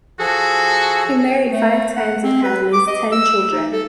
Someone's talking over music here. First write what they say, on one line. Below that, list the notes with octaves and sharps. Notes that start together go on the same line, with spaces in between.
He married five times and had at least ten children.
F3 F#4 G#4 A4
A3
F#5
C4
B4
D6
D#5
E6
D#4
A4